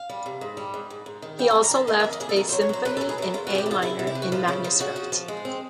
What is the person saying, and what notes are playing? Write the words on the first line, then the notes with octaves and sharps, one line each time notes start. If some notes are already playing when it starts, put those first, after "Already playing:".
He also left a Symphony in A minor in manuscript.
Already playing: F5
G3
C3
G#2
G3
G#2
G#2
G#2
D#3
G3 G5
G#5
F2
A#5
D3 A5
A#3 D#5
E5
F2
D#5
F2 G#4
A4
B2 A#4
C5
F#3
C#5
F#3 C5
B2 B4
A4
F#3
G#4
F#3 E4
E2 F4
F#4
E2 G#4
G4
C3 F4
E2 E4
C3
E4
E3
F#4
F3 F4
C#3 E4
F3 F4
C#3 F#4
F3
F3
G#3
C4